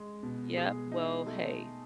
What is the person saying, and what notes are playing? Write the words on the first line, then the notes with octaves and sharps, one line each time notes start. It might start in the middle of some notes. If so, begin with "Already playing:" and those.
Yup, well hey,
Already playing: G#3
B2
G#4
D#4
A3